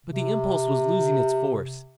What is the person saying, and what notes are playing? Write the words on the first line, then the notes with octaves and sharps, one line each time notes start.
"But the impulse was losing its force."
C3